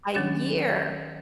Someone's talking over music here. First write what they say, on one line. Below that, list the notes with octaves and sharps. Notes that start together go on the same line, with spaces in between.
A year.
D#3 F#3 C#4 D4 C#5 F#6